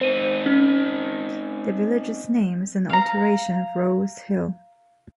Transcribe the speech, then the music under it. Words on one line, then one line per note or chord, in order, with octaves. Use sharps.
The village's name is an alteration of Roe's Hill.
C4 D#4 C5 D#7
C#4
F5 A#5